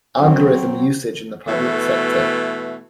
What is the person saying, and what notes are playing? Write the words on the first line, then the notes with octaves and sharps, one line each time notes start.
Algorithm usage in the public sector.
F#3 C4
B2 E3 A3